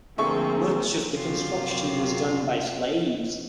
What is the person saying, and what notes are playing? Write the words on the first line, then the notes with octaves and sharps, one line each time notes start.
Much of the construction was done by slaves.
D2 F3 A#3 C4 G#4 E5 C#6
F#2 C3 F4